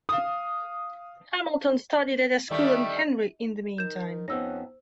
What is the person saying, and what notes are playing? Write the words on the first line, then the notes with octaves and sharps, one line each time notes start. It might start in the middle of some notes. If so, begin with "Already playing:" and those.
Hamilton studied at a school in Henry in the meantime.
F5 D#6
D#3 G3 A3 D5 E5
D#3 G6 E7
F2 B3 C#4 D#4 C5 E6 A#6